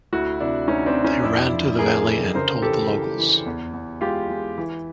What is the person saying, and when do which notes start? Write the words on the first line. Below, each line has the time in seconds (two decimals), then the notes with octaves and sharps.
They ran to the valley and told the locals.
0.13 D2 E4 F#4
0.40 C3 D4 E4
0.68 D2 C#4 D#4
0.86 C4 D4
0.96 C3
1.04 C#4 D#4
1.23 F2 D4 E4
1.52 F3
1.79 D3 G#4 A#4
2.07 D3
2.35 C#3 A#4 C5
2.62 E3 G4 A4
2.90 E3
3.18 E3
3.46 E2
3.73 E2
4.01 G#3 F4 G4
4.29 G#3
4.58 E3